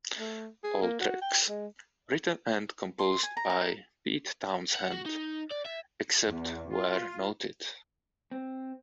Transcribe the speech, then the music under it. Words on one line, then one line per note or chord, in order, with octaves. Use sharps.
All tracks written and composed by Pete Townshend, except where noted.
A3
G#4
A#3
F#4
G5
G#3
C6
G#5
A#5
A#5
F#5
F#4
D#4
D5
E5
E2
F4
C4